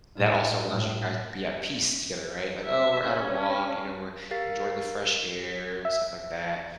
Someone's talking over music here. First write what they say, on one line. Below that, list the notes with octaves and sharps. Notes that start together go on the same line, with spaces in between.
That also allows you guys to be at peace together, right, like, "Oh, we're at a walk." You know, "We're enjoying the fresh air," stuff like that.
A2
A2
E5
C#4
G4 A#4 F5 A6 C7
E5